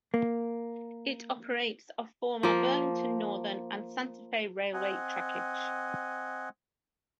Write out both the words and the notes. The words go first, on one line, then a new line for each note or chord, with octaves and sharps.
It operates of former Burlington Northern and Santa Fe Railway trackage.
A#3
F3 A#3
C4 D#5 F#5 G#5